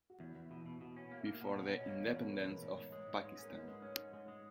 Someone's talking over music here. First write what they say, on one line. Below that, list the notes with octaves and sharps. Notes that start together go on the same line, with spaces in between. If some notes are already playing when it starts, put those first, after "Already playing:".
Before the independence of Pakistan.
F#4
E2 E4
E2
B2 E4
B2
B2 F#4
C#4
A#3
E5
A#3
B2 F#5
B2
C#4 C#5
D#5
A#3 C#5
E2 C#5
B2
A#4
E2 B4
B2
G#2 C#5
G#2
G#3 C#5
G#2
G#3 B4
C#4
A#4
G#2
B4
G#3
C#4 C#5
G#2
G#3 C#5
G#3